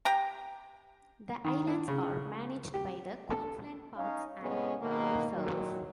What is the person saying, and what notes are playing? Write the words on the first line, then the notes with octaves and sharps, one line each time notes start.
The islands are managed by the Queensland Parks and Wildlife Service.
G4 G5 A#5
D#3
D4
C#3
G4
A4
C#4 D#4 F5
A2 C3 G#3 B3 C#4
G#2 B2 D#3 A#3
A#2 D#3 F#3